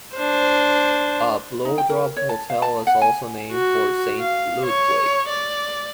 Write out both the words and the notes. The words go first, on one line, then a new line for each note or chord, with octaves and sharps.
A Vlodrop hotel is also named for Saint Ludwig.
D4 C5
D#4
G5
A#4
C#5
A5
F5
A5
F#5
G#5
F#4
F5
C#5
D5